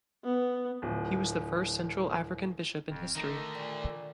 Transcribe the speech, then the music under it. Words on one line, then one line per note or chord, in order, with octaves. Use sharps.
He was the first central African bishop in history.
B3
D1 F3
D1 F2
D3 D#3 A3 D#4
A#2 G3